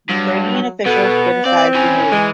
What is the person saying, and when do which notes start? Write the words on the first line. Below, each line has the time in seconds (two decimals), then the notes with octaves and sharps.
Ukrainian officials criticized the move.
0.09 G2 F#3
0.86 B2 B3 A4
1.46 C4 D5 F5
1.75 E3 C#4 G#5
2.11 E3 G#3